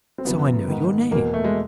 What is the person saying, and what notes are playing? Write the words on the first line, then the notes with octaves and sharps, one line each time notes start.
"So I know your name."
C4
F#2 C#3 E3 B3
G#2 D#3
E2 B2 A#3
A3
G#3